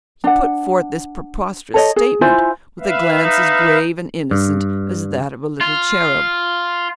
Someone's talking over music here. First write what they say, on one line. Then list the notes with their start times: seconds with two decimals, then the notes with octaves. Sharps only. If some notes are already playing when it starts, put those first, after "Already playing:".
He put forth this preposterous statement with a glance as grave and innocent as that of a little cherub.
0.24 D4 F#5
1.74 A4 C#5 D#5
1.96 G#4
2.21 E4 F4 C5 G#5
2.80 B4 E5 F5
3.24 D#4
4.31 G2
5.61 F4